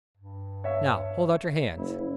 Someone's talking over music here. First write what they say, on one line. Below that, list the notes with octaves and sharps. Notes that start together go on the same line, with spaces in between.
"Now hold out your hands."
G2
C#5 E5 F5
F#1 E4